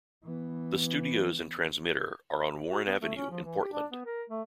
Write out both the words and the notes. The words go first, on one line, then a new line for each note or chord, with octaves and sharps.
The studios and transmitter are on Warren Avenue in Portland.
E3 B3
F#4
B3
A3
C#4
F3
E3
G4
D4
B3
A#4
A3